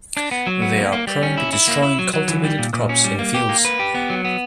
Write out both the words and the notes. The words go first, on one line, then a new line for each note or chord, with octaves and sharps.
They are prone to destroying cultivated crops in fields.
D4
B3
F#3
B3
A#3
A#3
G3
C#4
E4
E4
A#3
E4
F#3
F#3
E3
G3
A#2
A#2
C#4
G3
A#3
G4
A#3
B4
G4
B3
F#3
B3